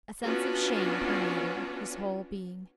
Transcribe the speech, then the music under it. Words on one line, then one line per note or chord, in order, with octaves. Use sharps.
A sense of shame permeated his whole being.
B3 C#4 D4 F4 F#4